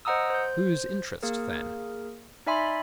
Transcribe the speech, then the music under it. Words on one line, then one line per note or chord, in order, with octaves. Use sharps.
Whose interest then?
C5 D#5 F#5 A#5 D#6 E6
C5 G6
A#3 G#4 A#4
D#4 D5 E5 G#5 B5 C6